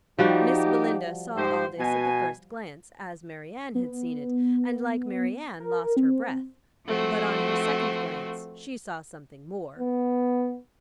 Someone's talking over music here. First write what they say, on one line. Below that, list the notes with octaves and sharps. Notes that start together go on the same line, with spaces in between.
Miss Belinda saw all this at the first glance, as Mary Anne had seen it, and, like Mary Anne, lost her breath; but, on her second glance, she saw something more.
F3 G3 D#4 F#4 G4
G#2 G4 C5
B2 G#5
B3
A#4
C4
F3 A3 C4 F#4
B3